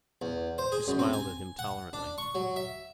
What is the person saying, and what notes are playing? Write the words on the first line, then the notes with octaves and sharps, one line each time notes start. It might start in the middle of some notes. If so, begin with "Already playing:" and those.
She smiled at him tolerantly.
E2
C5
G#4
F#2
C4
G#5
F#5
D4
C#6
F#3
E5